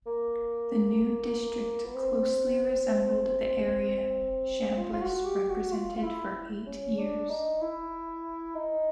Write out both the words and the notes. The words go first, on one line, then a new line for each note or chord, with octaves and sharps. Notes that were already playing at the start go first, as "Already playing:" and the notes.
The new district closely resembled the area Chambliss represented for eight years.
A#3
B3
C4
F4
F4
F#4
G4
F#4
F4
F4
E4
C#4
D4
D#4
E4
D#4